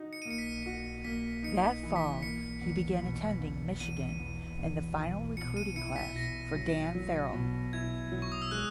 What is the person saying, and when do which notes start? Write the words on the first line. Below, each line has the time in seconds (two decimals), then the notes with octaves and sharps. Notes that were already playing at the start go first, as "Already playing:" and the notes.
That fall he began attending Michigan in the final recruiting class for Dan Farrell.
Already playing: D#4 F#4
0.13 C#7
0.22 D#7
0.26 A#3
0.31 C#7
0.38 B6
0.66 F#4
1.05 A#3 B6
1.43 D#4 C#7
1.83 E3
1.96 B6
2.22 A#3 C#7
2.61 E2
3.01 B2
3.41 E2
3.80 E2 D#7
4.20 E2
4.59 E2
4.97 B2
5.37 B2 C#7
5.57 D#7
5.76 E4 C#7
5.96 B6
6.15 B2 A#6
6.55 F#3
6.95 F#3
7.33 B2
7.73 E4 G#6
8.12 F#3
8.22 C#6
8.32 D#6
8.42 E6
8.51 G#3 F#6